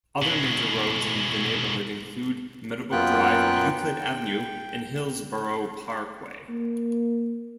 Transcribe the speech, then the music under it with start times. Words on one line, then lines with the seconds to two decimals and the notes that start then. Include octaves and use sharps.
Other major roads in the neighborhood include Meadowbrook Drive, Euclid Avenue, and Hillsboro Parkway.
0.22 B2 G#3
2.92 F#2 A#3 B3 F4 G5 F#6
3.82 G5
6.49 A#3